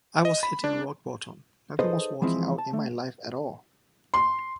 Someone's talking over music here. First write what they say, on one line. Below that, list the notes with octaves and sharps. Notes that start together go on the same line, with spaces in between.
I was hitting rock bottom, nothing was working out in my life at all.
D#5
B5
D4
D#4 G#4 A4 B4 C5 D#5
E3 F3 G#3 C4 E4
A5
A3
C6